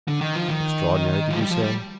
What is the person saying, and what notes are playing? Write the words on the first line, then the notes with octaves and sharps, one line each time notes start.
"Extraordinary, did you say?"
D3
D#3
F3
D#3
F3
G3
F3
G3